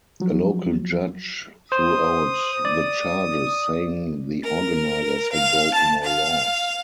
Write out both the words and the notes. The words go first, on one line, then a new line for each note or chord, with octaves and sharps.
A local judge threw out the charges, saying the organizers had broken no laws.
F3 F#3
C5 D#6
D5
A#4
F5
A5
F5